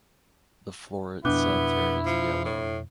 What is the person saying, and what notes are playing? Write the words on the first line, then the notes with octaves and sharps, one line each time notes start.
The floret centre is yellow.
F2 B2 B3 D4 E4 D6 F#6
F3
A2